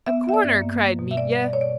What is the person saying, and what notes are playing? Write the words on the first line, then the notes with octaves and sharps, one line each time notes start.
"A corner!" cried Mitya.
B3 E5
B3 E5
D5
G2
A#3
A#3
B2
E5
G3 D5
B2
D5
B2 C#5
D5